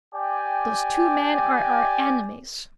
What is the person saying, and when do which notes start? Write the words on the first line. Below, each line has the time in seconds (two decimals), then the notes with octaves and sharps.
Those two men are our enemies.
0.15 G4 D5 G5 G#5